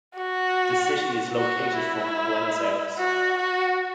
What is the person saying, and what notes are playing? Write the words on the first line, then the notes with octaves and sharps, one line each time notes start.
The city is located from Buenos Aires.
F#4
F#4
E4
F#4
F#4